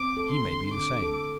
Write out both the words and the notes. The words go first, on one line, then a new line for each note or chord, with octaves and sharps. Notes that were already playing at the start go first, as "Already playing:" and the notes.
He may be the same.
Already playing: C4 D6
A4
C6
D3
D3 D6
A4